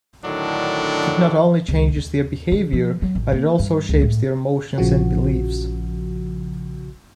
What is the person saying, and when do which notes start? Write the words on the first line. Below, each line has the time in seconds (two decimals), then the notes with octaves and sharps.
It not only changes their behavior, but it also shapes their emotions and beliefs.
0.25 A2 D3 D#3 F#3 D4
1.68 C#2
1.96 D#2
2.52 D3
2.73 F3
3.02 F#3
3.15 A1
3.32 A#3
3.59 G2
3.89 C#2
4.01 A2
4.78 A#1 C#3 F3 F#4